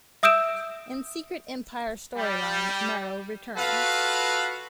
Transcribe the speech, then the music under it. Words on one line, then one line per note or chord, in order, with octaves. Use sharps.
In Secret Empire storyline, Marrow returns.
E5 D#6 E6 G6 D7 E7
G3
F4 F#4 A4 B4 F5